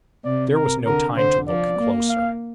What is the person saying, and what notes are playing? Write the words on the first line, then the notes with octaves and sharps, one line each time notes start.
There was no time to look closer.
C3 D5
A#4
D3 A#4
D3 C5
F3 D5
A#3
F5